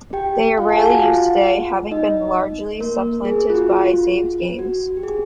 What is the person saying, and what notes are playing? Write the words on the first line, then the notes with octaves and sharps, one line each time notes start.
They are rarely used today, having been largely supplanted by saved games.
G4 G5
F4 F5
A5
G#4 G#5
F#4 F#5
F4 F5
D#4 D#5
A#3 A#4
G#4
G#4
F4
F#4
F4
F#4
G4
G#4